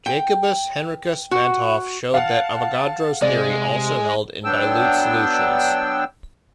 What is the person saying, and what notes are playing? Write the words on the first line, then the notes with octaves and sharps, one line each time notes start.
Jacobus Henricus van 't Hoff showed that Avogadro's theory also held in dilute solutions.
G5
F#4
F5 F#5 A5
C3 G#3 D5
F#3 B3 D4 G5 E6